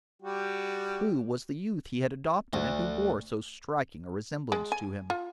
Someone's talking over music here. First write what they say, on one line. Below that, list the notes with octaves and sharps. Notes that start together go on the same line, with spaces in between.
Who was the youth he had adopted and who bore so striking a resemblance to him?
G3 F#4 G4
D2
G#3
G#5
F4